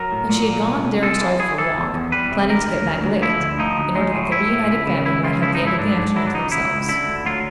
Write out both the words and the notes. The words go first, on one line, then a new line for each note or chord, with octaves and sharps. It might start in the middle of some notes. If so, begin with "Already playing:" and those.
When she had gone Darrow started for a walk, planning to get back late, in order that the reunited family might have the end of the afternoon to themselves.
Already playing: F#3 A#4
A2
A#2
A#2
C2
C2
G#3 A4
E3
E3 G#4
E3 A4
E2
E2
G3 B4
C3
D2 A#4
D2
D2
D2
F3 E4
D2
F3 D#4
D2
G#3
A2
A2 E4
A2
C#2
C#3
C#2 E4
C#3 F4
F3 E4
D#4
G#2
E4
G#2 D4
G#2
F#3 E4
D4
C#2 D#4
C#2 E4
C#2
D3 E4
D2
F#3 F4